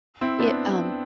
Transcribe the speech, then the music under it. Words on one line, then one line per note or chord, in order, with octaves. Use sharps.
Ye um
C4 E4
B3 D4